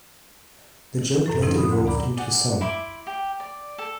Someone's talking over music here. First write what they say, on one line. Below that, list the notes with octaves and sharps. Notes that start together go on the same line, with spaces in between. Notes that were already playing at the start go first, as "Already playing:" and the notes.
The joke later evolved into the song.
F#2 A2 A4
F3 C4 C#4 D#4 E4
F#5 B5 D#6
D2 G#2 D3
D5 F#5 A#5 B5 D6
G#4 D5 F#5
E4 B5 C6 D6
G4
D5
A4